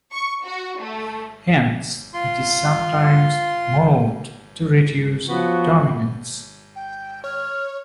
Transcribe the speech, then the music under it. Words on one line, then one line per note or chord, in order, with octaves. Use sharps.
Hence, it is sometimes mowed to reduce dominance.
C#6
F#4
A3
F4 C6
F3 F#3 B3 F#4
G5
C#5 F6